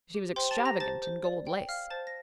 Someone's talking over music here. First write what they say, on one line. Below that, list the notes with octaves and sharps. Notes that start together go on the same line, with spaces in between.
She was extravagant in gold lace.
G4
C5 G5 C6
A5 A6
G4
A#5 A#6
C5 A5 A6
C5
D5
G5
F5 F6
C5 A5 A6
A#6